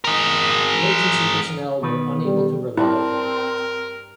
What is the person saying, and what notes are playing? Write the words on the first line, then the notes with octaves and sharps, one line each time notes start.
Emergency personnel were unable to revive him.
G#4 A#4
B2 D#3 B4
G3
G2 C4 D4 E4 A#4